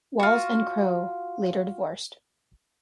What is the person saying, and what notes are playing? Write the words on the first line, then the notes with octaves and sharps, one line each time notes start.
Walls and Crowe later divorced.
F4 F#4